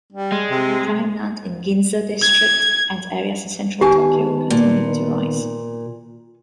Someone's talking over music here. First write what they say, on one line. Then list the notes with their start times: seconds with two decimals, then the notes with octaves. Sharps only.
Prime land in Ginza district and areas in Central Tokyo continued to rise.
0.13 G3
0.32 G#3
0.51 C3
2.22 G#6
3.81 D#3 B3 G4 G#5 A5 C#6
4.50 A#2